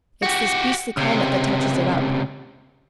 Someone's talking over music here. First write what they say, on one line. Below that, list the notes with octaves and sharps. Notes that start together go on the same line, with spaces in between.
It's this beastly climate that touches it up.
F#4 G4
C#2 C3